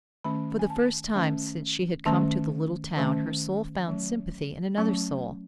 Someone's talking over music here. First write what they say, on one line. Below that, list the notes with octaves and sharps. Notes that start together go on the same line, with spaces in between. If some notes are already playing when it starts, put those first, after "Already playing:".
For the first time since she had come to the little town her soul found sympathy in another soul.
D#3 A3 C#4 B5
G#5
A5
D#3 A3 C#4
D#3 A3 C#4 A5
D#3 A3 C#4
F#3 A3 C#4
F#3 A3 C#4 C#6